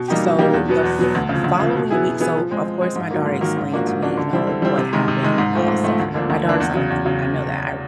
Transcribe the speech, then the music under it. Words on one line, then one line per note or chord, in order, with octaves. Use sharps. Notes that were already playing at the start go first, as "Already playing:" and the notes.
So, the f following week so, of course, my daughter explained to me, you know, what happened and all this stuff. My daughter's not a thief, I know that. I
Already playing: B2
G3 A#3 D#4 G4
B2
G3 A#3 D#4 G4
E2
B2 F#3 B3
E2
B2 F#3 B3
D2
C#3 F3
D2
C#3 F3
B2
F#3 B3 E4 G#4
B2
F#3 B3 E4 G#4
F3
G#3 C4
F3
G#3 C4
G#2
D#3 F#3 A#3
G#2
D#3 F#3 A#3
G#2
F3 A#3 D4 F#4
G#2
F3 A#3 D4 F#4
D3
G3 C4 E4
D3
G3 C4 E4
C3
D#3 G#3
C3
D#3 G#3
G#2
F3 A3 C4 F4
G#2
F3 A3 C4 F4
D2
D3 F3 A#3 D4
D2
D3 F3 A#3 D4
E2
C#3 F#3
E2
C#3 F#3